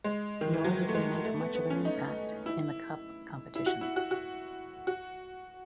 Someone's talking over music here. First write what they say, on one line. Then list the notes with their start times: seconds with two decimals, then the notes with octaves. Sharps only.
Nor did they make much of an impact in the cup competitions.
0.04 G#3
0.41 D#3
0.53 E3
0.64 F#3
0.88 A3
0.95 G#3
1.25 A3
1.40 B3
1.55 B3
1.70 C#4
1.85 D#4
2.46 E4
3.55 E4
3.66 F#4
3.81 E4
3.96 F#4
4.11 F#4
4.87 F#4